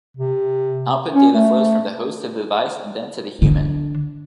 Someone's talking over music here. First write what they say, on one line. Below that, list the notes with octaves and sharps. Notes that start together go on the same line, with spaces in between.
Output data flows from the host to the device and then to the human.
C3
C#4
A3
D3 D4